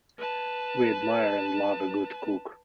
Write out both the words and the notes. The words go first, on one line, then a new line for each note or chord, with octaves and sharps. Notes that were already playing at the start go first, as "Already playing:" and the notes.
We admire and love a good cook.
B4 A5